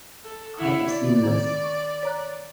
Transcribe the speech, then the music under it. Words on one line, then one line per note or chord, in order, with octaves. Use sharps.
I have seen this.
A4
E4 F#5 B5
D5
D#3 C4
C#6
C#5 A#5 F#6